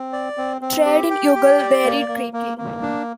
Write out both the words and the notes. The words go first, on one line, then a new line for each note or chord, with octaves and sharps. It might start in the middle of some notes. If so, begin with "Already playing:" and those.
Trade in Youghal varied greatly.
Already playing: C4
D5
C4
C4
G4
G5
G4
D5
A#3
A#3
A#3
A#3
D4